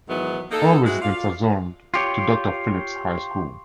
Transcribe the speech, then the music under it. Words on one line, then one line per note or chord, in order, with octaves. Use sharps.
All residents are zoned to Doctor Phillips High School.
G#2 D#3 E3 F#3 B3
A#3 D#4 A4
G#3 C4 E4 F#4
F4 D5 F5
F4 G4 C#5